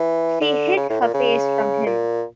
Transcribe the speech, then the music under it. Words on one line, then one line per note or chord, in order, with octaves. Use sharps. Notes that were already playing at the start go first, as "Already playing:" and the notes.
She hid her face from him.
Already playing: E3
D3
C#3
A2
A#2
C#3
A#2